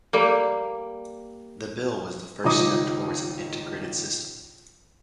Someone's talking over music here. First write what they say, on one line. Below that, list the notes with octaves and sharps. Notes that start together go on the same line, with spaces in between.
The bill was the first step towards an integrated system.
G3 A#3
D#1 C#2 D#4 D#5 D6 D#6